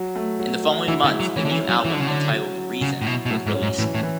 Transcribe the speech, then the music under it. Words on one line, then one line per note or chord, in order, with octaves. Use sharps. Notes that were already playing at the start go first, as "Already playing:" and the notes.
In the following months, the new album, entitled "Reason", was released.
Already playing: F#3
A3
F#3
F#3
E3 E4
D3
G#3
F#3
E3 C#4
D3
E3
E4
F#3
E3 F#3
D3
C#3
D3 C#4
F#3
F#3
C#3 F#3
A2
B2 E4
B2
A2 F#3
G#2
C#4
G#2
A2 E3
A2
E3